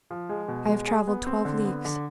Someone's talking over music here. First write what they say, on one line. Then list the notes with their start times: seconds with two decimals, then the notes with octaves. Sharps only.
I have travelled twelve leagues.
0.11 F3
0.29 G#3
0.48 B2
0.68 G#3
0.87 G#4
1.07 B3
1.27 C4
1.45 D3
1.65 B3
1.85 D3